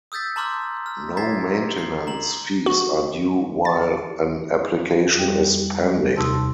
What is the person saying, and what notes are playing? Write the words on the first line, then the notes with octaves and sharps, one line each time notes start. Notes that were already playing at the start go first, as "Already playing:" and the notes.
No maintenance fees are due while an application is pending.
D#6 E6 G6 A6 B6
A5 A#5 C6 D6 F6 G6
F6
A#5 G#6 A6 B6 C7
C7
A#5 F#7
F#4
A6
F2 G3 G5
D#2 C3 A5 C6 D#6 E6